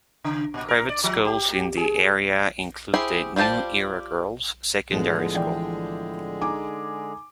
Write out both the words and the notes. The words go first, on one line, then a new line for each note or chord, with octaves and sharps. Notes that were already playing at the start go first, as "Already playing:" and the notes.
Private schools in the area include the New Era Girls Secondary School.
C#3
A#2
A#4
D5
F3
G4
G#4
E4 G4 G#4 C5
G3 F4 G4 C5 A5
A2 D3 F3 G#3 B3 G#4
E3 D5 G5
D#4 G#5 D6